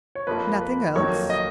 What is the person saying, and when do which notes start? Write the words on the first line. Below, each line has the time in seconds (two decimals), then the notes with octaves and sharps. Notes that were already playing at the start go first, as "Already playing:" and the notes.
"Nothing else?"
0.15 C#5
0.27 F2 F3 A#3 B4
0.61 B4
0.95 F2 D#3 F#3 A#3 C#5
1.30 D#5